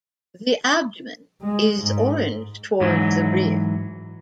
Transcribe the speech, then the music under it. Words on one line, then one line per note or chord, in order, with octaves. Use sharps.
The abdomen is orange towards the rear.
G#3
G#2
G#2 E3 F#3